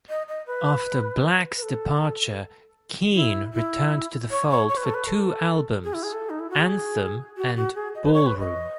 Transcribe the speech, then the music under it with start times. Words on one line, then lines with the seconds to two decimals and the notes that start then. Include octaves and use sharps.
After Black's departure, Keane returned to the fold for two albums: "Anthem" and "Ballroom".
0.09 D#5
0.28 D#5
0.47 B4
1.57 B4
1.63 A4
3.15 E4
3.54 E4
4.31 C#5
4.50 C#5
4.69 C#5
4.77 B4
4.85 A4
4.94 B4
5.07 A4
5.84 G#4
5.94 E4
6.03 G#4
6.13 A4
6.30 D#4
6.40 E4
6.50 F#4
6.61 G#4
7.37 F#4
7.57 F#4
7.75 G#4
7.95 D#5
8.05 B4
8.14 C#5
8.26 B4
8.40 D#5